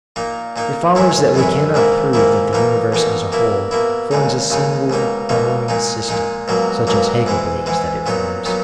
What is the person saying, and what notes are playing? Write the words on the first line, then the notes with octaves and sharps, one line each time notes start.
It follows that we cannot prove that the universe as a whole forms a single harmonious system such as Hegel believes that it forms.
A#2 A#3 D#4
A#2 A#3 D#4
F#2 E3 G#3 C#4 E4
F#2 E3 G#3 C#4 E4
G#2 D#3 A#3 E4
G#2 D#3 A#3 E4
E2 B2 A#3 D#4
E2 B2 A#3 D#4
B2 A#3 E4
B2 A#3 E4
D#2 C#3 G#3 D#4
D#2 C#3 G#3 D#4
C#2 B2 A#3 D#4
C#2 B2 A#3 D#4
A#2 G#3 D#4
A#2 G#3 D#4
C#2 B2 F#3 A#3
C#2 B2 F#3 A#3
G#2 E3 G#3
G#2 E3 G#3
A#2 F#3 B3 D#4
A#2 F#3 B3 D#4